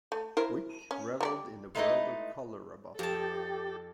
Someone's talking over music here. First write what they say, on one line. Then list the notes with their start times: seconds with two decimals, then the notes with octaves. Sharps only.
Vic reveled in the world of color about her.
0.12 A3
0.37 E4 A#4 C5
0.91 C#4
1.21 G3 A4 D5
1.75 G#3 A3 D#4 E4 B4 D#5
2.99 F2 G4 A4 A5